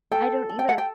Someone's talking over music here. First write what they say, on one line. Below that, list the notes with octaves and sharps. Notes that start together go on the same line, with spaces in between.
I don't either.
A4 G5
A4
G5
F#5
G5